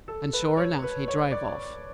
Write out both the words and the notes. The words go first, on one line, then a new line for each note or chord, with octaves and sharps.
And sure enough, he drove off.
A4
B4
C#5
B4
C#5
D5